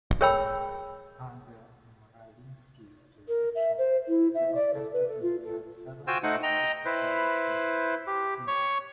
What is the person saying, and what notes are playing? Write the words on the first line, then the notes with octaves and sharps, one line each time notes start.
Under Mravinsky's direction, the Orchestra premiered seven of Shostakovich's Symphonies.
G#4 A#4 C#5 G5 B5 E6
A#4
E5
C5
E4
E5
D5
A4
B4
A4
F4
A4
F4 F#4 C5 G5 G#5 E6
A3 D#4 C5 F#5
D#5 G5 A#5
E4 B4 C5
G4
C#5 C#6